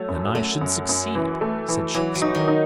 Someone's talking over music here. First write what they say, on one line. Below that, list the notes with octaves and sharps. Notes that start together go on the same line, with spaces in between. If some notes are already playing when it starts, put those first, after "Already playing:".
"Then I should succeed," said Shakespeare.
Already playing: F#3 A3
F#2
F#3 A3
F#2
F#2
E3
A3
E3
E3 F#3
F#3
D#4
D#3
D#4